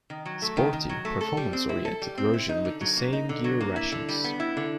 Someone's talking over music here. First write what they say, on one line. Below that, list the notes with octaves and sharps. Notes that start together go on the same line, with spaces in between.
Sporty, performance-oriented version with the same gear rations.
D#3
F#3
A3
D#3
D#3
F#3
A3
A4
G3
C4
E4
A4
G3
C4
E4
D#4
D3
F#3
A#3
D#4
D3
F#3
A#3
E4
D3
G3
B3
E4
D3